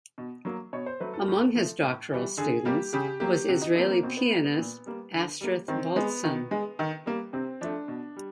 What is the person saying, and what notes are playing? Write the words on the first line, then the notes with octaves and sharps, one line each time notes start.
Among his doctoral students was Israeli pianist Astrith Baltsan.
B2
F#3 A#3
B2 C#5
C5
F#3 A3 B4
A4
A#4
A2 A4
F3 A3
A2
E3 G3
D3 G#4
G3 A#3 G4
C#3 G4
F#3 A#3 G4
C3 F#4
D#4
F3 A#3 C4
A#3
B2 C4
B3
G3 A#3
B3
A#2
G3 A#3
D3
G3 A#3
D#3 C4
G#3 B3
D#3
G#3
D#3
G3 A#3
C3 C4
F3 A3 D4
B2
G3